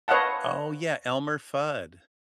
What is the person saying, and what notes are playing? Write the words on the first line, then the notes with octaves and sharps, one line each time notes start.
Oh yeah, Elmer Fudd.
B4 C#5 D#5 F5 F#5 A5